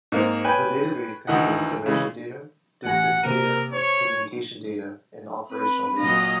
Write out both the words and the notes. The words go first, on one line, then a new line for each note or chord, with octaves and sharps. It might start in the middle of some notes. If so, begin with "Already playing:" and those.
The database contains dimension data, distance data, communication data and operational data.
G#2 A#3 C4
B4 C#5 G5 G#5
D2 D#3 E3 D#5 F#5
C#3 E3 G#3
A1 F#5 G#5 A#6
C3 A#3 A#4 D#7
C5 C#5
C4 B4 B5
A#2 F#3 D#5 F5 A#6